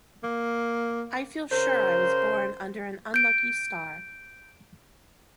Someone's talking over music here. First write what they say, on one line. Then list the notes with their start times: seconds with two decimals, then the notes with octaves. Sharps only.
I feel sure I was born under an unlucky star.
0.24 A#3
1.52 C#3 A#4 C5 C6
3.14 G6 D7